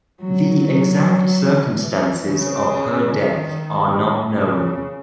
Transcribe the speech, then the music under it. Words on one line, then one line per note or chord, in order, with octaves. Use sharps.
The exact circumstances of her death are not known.
F#3
F#3
E3
C#3
D#3
A2
C#3